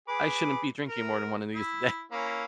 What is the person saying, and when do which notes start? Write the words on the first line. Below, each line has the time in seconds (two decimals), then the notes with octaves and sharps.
I shouldn't be drinking more than one of these a day."
0.08 G#4 B4 D6
0.89 A#4
1.55 E4
2.12 A#3 C#4 E4